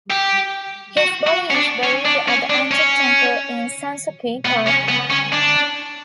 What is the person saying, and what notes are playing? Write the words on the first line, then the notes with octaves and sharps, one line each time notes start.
His body is buried at the Antique Temple in Sanssouci Park.
G4
F#4
F#4
C#4
D4
C#4
D4
C#4
D4
C#4
B3
C#4
B3
C#4
D4